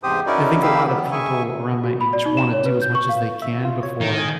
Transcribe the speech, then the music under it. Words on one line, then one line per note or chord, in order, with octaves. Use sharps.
I think a lot of people around my age wanna do as much as they can before
E2 G#2 C3 G4 C5 D#6
C#4 D#4 E4 F#4 A#4 D5
A#3 D#4 G4 F5 B5 E6
F#3 G3 B3
G#4 E5 G#5 C#6
F#4
B5
D5
D#4
E7
C#5
B4
G6
C#6
F5
E5
F4
C#5
D#3
G#5